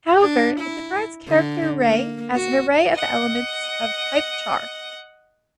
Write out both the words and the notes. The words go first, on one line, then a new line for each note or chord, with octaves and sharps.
However it defines "Character Array" as an array of elements of type char.
D4
E4
D3
A#3
F#4
D#5 F#5